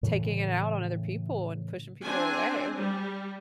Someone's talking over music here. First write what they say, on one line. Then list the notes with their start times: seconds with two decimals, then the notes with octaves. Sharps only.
taking it out on other people, and pushing people away.
0.03 A2 C#3 E3
2.04 C4 D4 G#5
2.76 G3